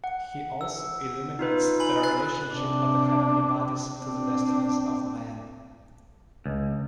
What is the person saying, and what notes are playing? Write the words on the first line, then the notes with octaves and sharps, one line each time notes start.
He also illuminates the relationship of the heavenly bodies to the destinies of men.
F#5
E6
D#4 F4 B4
G#5 B5 F#7
F#6 A6 C7
C3 D4
C4 D4
C#2